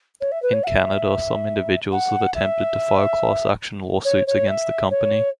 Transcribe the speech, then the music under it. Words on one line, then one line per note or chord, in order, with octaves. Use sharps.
In Canada, some individuals have attempted to file class action lawsuits against the company.
C#5
E5
B4
C#5
F#5
E5
F#5
E5
C#5
C#5
E5
C#5